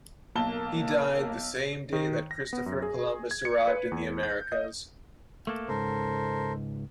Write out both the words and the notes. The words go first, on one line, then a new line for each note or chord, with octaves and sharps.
He died the same day that Christopher Columbus arrived in the Americas.
B1 A#3 A5 G7
D#3
A#6
B3
F#2
G#4
G#6
C#7
B4
E2
G6
D#5
A3 A#3 A4
C#2 G#2 A4 A#4 C5